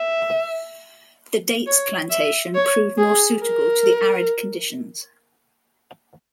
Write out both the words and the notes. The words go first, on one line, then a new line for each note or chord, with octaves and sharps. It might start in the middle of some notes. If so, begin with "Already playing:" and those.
The dates plantation proved more suitable to the arid conditions.
Already playing: E5
C#5
E5
C#5
G#4
A#4